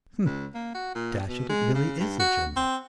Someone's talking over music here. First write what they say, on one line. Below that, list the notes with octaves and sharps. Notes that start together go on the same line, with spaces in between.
Hm, dash it, it really is a general!
C#2
A#3
F#4
A#2
B2
G#3
C#3
G2
F#4
C4